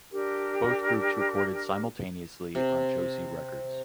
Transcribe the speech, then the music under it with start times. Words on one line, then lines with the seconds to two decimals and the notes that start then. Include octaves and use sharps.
Both groups recorded simultaneously on Josie Records.
0.11 D4 G4 A#4
2.55 C3